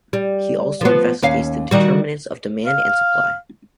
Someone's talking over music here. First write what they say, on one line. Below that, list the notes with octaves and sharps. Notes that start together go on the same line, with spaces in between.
He also investigates the determinants of demand and supply.
G3
F3 B3
D#2 C#4 F5
D#3 G3 F#4
F5